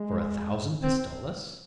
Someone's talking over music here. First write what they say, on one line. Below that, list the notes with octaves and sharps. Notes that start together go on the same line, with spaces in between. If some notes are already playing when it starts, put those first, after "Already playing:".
"For a thousand pistoles?"
Already playing: G#3
C4